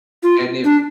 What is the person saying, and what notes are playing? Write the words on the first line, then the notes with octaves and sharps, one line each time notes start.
and it
F4
D4